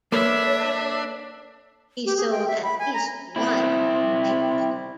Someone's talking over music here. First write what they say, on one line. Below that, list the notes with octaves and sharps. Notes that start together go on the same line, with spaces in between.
He sold at least one "knighthood".
A#3 D4 A4 B4 C#5 E5
G4
G#4
G5
E5
B5
G#5
A#5
C4 E4